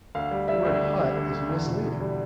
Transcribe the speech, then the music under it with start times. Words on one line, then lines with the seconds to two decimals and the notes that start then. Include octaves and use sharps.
'The word "hut" is misleading.
0.15 D2 F5
0.31 G3
0.48 G3 E5
0.65 D2
0.82 D3
0.99 G3
1.16 D3
1.33 D3
1.49 E2
1.66 B2
1.84 E2
2.00 G3